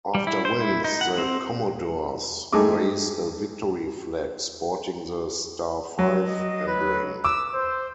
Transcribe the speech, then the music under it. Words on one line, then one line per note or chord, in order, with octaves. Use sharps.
After wins the Commodores raise a victory flag sporting the "Star Five" emblem.
G3
E4
C5
E4
D#4
F#5
C4
G2 G#3 A3 D#4 G#4 D6
F#3
D#5
B4
D6 E6
C5